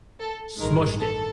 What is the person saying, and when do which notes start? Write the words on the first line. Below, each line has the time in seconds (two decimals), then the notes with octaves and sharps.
smooshed it,
0.20 A4
0.60 A1 G2 D#3 G#3 A#4
1.00 A4